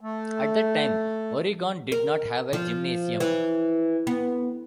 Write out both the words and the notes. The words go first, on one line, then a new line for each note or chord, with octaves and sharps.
At the time, Oregon did not have a gymnasium.
A3
A#4
F3
E3
B3